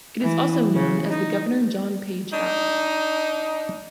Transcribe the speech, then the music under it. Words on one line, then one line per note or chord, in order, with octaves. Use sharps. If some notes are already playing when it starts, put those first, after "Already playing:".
It is also known as the Governor John Page house.
E3
C#3
D#4
D4 D#4